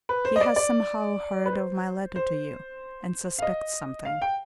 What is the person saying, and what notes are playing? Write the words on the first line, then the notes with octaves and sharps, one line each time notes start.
He has somehow heard of my letter to you and suspects something.
B4
C5
D#5
D5
D5
B4
C5
C5
F5
D#5
F5
G5